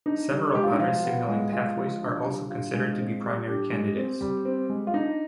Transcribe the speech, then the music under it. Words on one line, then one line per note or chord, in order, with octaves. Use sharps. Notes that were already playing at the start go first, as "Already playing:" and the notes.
Several other signaling pathways are also considered to be primary candidates.
D4 D#4
G3
G#3 G4
F4
D#4
F3 F4
B3
G#3
G#3 F4
F3
D4
G3
D4 F4
G#3
C4
G3
D4 G4
G#3
C4
G3
C4
G#3
F4
D4 D#4